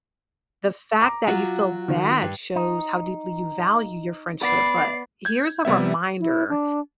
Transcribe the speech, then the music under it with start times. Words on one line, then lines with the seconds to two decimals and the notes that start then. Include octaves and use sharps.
The fact that you feel bad shows how deeply you value your friendship, but here's a reminder,
1.02 A#5 D6
1.27 F#3 F4 F#4
1.88 D#3
2.21 G2
2.56 D#4
4.41 B3 B4 D5 C7
5.25 G6 G#6
5.65 C3 G3 B3 E5
6.20 E4
6.49 D4